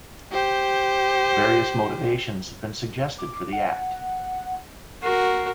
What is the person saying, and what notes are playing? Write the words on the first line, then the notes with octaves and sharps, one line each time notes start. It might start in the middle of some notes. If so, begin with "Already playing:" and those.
Various motivations have been suggested for the Act.
G4 C5
D6
F#5
F#4 A#4 C7